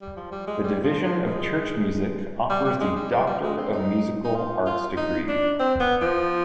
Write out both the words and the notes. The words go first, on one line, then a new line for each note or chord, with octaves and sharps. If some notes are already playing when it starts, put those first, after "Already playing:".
The Division of Church Music offers the Doctor of Musical Arts degree.
G3
F3
G3
G#3
G3
F3
F3
G#3
G3
G3
G#3
G3
F3
G3
G#3
C4
D#4
D#4
F4
F4
D#4
D4
C4
B3
F3